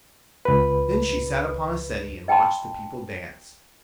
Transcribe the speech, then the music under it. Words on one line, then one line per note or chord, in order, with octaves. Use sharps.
Then she sat upon a settee and watched the people dance.
C#2 B4
D#5 G5 A5 B5 C6